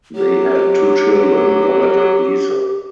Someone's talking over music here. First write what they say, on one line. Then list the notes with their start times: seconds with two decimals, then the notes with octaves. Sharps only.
They had two children, Robert and Lisa.
0.16 F#3 G4